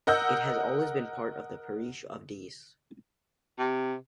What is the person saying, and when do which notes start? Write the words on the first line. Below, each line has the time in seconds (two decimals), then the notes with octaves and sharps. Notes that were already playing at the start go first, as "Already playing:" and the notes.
It has always been part of the parish of Diesse.
0.07 A#4 D#5 F#5 E6 G6
3.59 C3